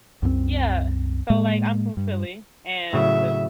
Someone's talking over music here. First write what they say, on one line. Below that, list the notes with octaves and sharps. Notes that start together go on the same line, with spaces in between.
Yeah, so, like, I'm from Philly, and
C2 F#2 F#3 C4
A2 G#3 A#3
G2
A2 C#3 F#3 E5